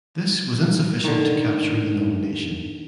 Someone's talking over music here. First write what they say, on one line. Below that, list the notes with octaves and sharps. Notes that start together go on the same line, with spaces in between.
This was insufficient to capture the nomination.
D3 D#3